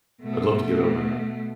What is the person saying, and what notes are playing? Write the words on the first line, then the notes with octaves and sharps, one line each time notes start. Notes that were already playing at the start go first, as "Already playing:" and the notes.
I'd love to get over that.
B2 A3